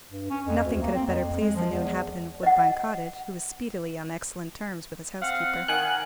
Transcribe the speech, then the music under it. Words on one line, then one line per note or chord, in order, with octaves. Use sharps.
Nothing could have better pleased the new inhabitant of Woodbine Cottage, who was speedily on excellent terms with his housekeeper.
G2
C#4
F2
D2
A#3
C4
F2
F2
G#3
F3
E2
D#5 F#5
C4 F5 F#5
D#3 F#5 G#5 F#6